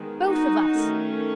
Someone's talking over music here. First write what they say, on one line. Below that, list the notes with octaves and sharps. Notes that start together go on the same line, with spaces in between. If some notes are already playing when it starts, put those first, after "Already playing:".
"Both of us!"
Already playing: D#3 G#3 B3
D#4 F#4
D#3 A3 C#4